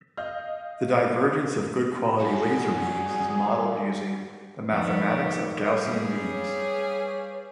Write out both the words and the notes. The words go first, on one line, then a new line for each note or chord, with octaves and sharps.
The divergence of good-quality laser beams is modeled using the mathematics of Gaussian beams.
D#5 F5 F6 G6
G3 F#4 G#4
F2 D#3 F3 B3 B4 D5 F5 C#6
G3 G#4 B4 F5 G6
C#5